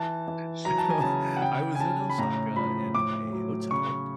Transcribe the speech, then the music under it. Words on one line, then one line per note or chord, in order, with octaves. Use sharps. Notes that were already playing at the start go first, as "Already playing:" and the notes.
So, I was in Osaka in a hotel,
Already playing: E3 A5
E3
F#3 A#5
A5
G#5
C#3 A5
F#5
C#3 G5
G#5
C#3 A5
B5
A2 A#5
F3 B5
A2 D6
F#3
C#3 C#6